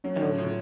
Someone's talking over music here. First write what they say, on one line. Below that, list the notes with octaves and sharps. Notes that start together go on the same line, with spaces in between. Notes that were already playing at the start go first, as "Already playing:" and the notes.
Oh ye
F#3 C#4
A2
A2 F4